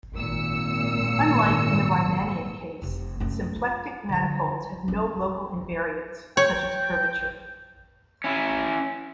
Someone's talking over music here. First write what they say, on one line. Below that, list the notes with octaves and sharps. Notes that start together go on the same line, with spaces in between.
Unlike in the Riemannian case, symplectic manifolds have no local invariants such as curvature.
G#1 A#2 E6 C#7
F1 C3
F#2 A3
F4
D3 F3
C#4 E4
C#5 G5
C#4 E4